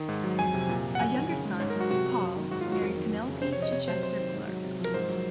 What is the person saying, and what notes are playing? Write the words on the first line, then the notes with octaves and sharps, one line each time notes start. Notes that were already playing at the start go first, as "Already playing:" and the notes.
A younger son, Paul, married Penelope Chichester-Clark.
Already playing: D#3
G#2
F#3
F2 G#5
C3
A#2
F3
F#5
F#2 G#5
D#3
C#3
G#3
G#2 C#5
A#4
F#3
F#4
C3 F#4
F#3
F#2
D#3
G#2 F#4
F4
F#3
F#4
F2 A#4
D#3
F2
C#3
C3 C5
C#5
F3
D#5
C3 C#5
F#3 C5
C3 C5
D#3
G#2
F#3
C3
F3
A#4
G#2 C5
F#3